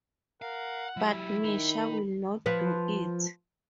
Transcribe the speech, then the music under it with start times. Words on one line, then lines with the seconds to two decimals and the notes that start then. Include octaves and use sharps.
But Misha will not do it.
0.42 A#4 F5 F#5
0.97 F#3 E4 G4
1.44 D#3 D#4 B5
2.46 F3 B4